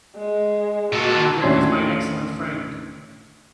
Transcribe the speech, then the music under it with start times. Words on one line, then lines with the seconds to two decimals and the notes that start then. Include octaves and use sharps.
And where is my excellent friend?
0.16 G#3
0.92 A#2 F#4 A4
1.42 D#2 A2 C#4 D4 C6 G#6